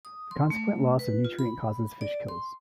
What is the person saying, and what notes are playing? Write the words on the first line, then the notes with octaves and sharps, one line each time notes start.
The consequent loss of nutrient causes fish kills.
D#6
C6
A3
B4
F4
B5
D5
C6